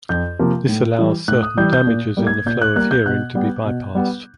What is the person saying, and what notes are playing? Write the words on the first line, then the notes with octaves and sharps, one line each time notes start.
This allows certain damages in the flow of hearing to be bypassed.
F2 G6
C3 F3 A#3
A2
E3 G3
A2 F#6
D#6
E3 G3 G6
G6
A#2
G3 A#3
G#6
A#2 G6
F#6
G3 A#3 F#6
G6
B2 F#6
G3 B3
B2
G3 B3